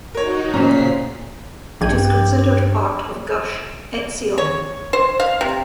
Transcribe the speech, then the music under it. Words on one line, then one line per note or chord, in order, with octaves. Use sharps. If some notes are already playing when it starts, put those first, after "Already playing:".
It is considered part of Gush Etzion.
D#4 F#4 A#4 C#5
A#2 C#3 C#4 C5 A#5 B6 C7
A#1 G2 G4 G#6
C#5
C5
F5
C3